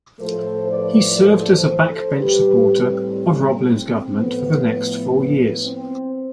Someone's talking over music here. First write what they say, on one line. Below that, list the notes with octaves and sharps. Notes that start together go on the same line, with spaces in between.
He served as a backbench supporter of Roblin's government for the next four years.
A2 F3 A3 A4 C5
B4 D5
A4 C5
A4 C5
A2 G3 G4 B4
C4
C4
A2 F3 A3 B3
C4